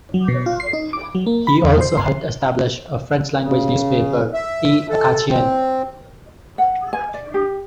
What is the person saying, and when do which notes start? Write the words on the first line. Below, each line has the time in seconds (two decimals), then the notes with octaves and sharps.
He also helped establish a French language newspaper "l'Acadien".
0.14 F#3
0.28 B2
0.46 F4
0.60 C7
0.73 D#4
0.93 D6
1.15 F#3
1.26 A#3
1.47 B5
1.64 E2
1.81 C5
1.98 C6
3.44 C#3
4.34 E5
4.89 A4
5.29 C4
6.58 F#5
6.93 G#5
7.14 D5
7.34 G4